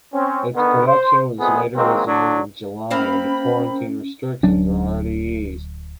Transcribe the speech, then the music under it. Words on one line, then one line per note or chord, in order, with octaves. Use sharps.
Its production was later resumed in July when the quarantine restrictions were already eased.
C4 C#4
D3 D#3 B3
C5
F2 C3 B3 G#4
D#3 F#3 G#3 A#3 C4
D3 F#3 D4
A#3 C4 C#4 F5 B5
D1 F#3 C#4 D4